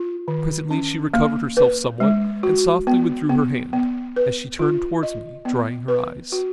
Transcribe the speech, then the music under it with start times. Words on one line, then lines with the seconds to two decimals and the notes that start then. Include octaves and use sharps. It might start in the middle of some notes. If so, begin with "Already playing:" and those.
Presently she recovered herself somewhat and softly withdrew her hand, as she turned towards me drying her eyes.
Already playing: F4
0.28 D#3
0.71 C#4
1.14 A#3
1.57 B4
2.00 G#3
2.43 F#4
2.87 B3
3.29 B3
3.73 B3
4.16 B4
4.59 F4
5.03 D#5
5.45 B3
5.88 B4
6.32 F#4